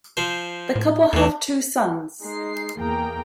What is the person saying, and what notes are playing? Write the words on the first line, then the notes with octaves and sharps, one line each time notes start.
The couple have two sons.
F3 C5
A2
E2 A2 E3
G#3 D#4 C7
E2 A#3 G#4 G5 A#5